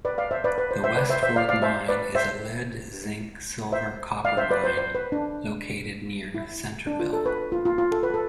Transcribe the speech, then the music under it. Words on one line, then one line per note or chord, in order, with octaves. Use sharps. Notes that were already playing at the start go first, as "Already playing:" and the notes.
The West Fork Mine is a lead-zinc-silver-copper mine located near Centerville.
B4 D5
D5 F5
C5 E5
B4 D5
B4
C5
C5 E5
B4 D5
C5 E5
C5 E5
D5 F5
D5 F5
C5 E5
B4 D5
C5 E5
C5 E5
D5 F5
C5 E5
B4 D5
C5
C5
B4
D4
E4
D4
F4
A4
B4
F4
F4
F4
A4
B4
A4